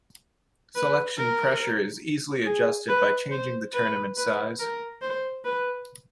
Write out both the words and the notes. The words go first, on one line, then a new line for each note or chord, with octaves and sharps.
Selection pressure is easily adjusted by changing the tournament size.
B4
A#4
G#4
B4
C5
B4
B4
A#4
C5
B4